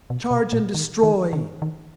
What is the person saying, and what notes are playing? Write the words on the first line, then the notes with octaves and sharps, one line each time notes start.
Charge and destroy!
B2
B2
A#2
D#3
D#3
D#3
D#3